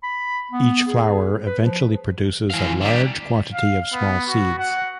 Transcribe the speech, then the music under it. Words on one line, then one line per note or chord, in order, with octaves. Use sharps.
Each flower eventually produces a large quantity of small seeds.
B5
B3
G#4
B4
F3
E3 F5
D3 G3
F5
B3
F#4
F#5